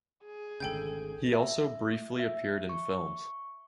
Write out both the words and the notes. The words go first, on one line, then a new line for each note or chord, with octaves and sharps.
He also briefly appeared in films.
G#4
G#1 D2 C#3 A4 G5 G6
E5
E5
C#6